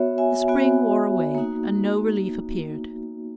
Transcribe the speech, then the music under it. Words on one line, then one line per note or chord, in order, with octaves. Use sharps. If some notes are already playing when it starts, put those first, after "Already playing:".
The spring wore away, and no relief appeared.
Already playing: B3 F#4 C#5 E5
E5 G#5
B3 F#4
A#3 D#4 F#4